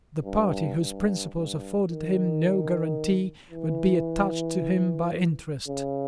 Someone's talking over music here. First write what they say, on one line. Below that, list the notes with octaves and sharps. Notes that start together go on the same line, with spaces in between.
The party whose principles afforded him no guarantee would be attached to him by interest.
G2
G2
G2
D#3
E3
C#3